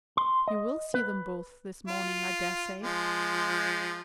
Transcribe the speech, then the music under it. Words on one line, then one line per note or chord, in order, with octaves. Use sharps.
You will see them both this morning, I dare say.
C6
D#5
B4
F4
F3 G#3